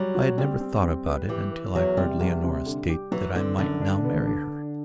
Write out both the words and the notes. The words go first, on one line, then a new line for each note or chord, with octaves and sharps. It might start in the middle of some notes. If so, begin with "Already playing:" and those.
I had never thought about it until I heard Leonora state that I might now marry her.
Already playing: F#3 G3
F#4
G3 C4
C4
C4
B4
E3 G4
B4
E2 F#3
C3 G3
E2
C3
D3
G4
E3 F#3
D3 C4
F#2 D3
D4
B3
D4